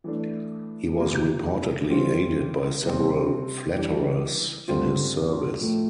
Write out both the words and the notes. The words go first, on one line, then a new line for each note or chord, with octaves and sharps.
He was reportedly aided by several flatterers in his service.
E3 A3 D4
C3 F3 A#3
E3 G3 C4 F4
C3 G3 C4
E3 G3 D4
G2 D3 G3 C4 F4
A2 F3 A3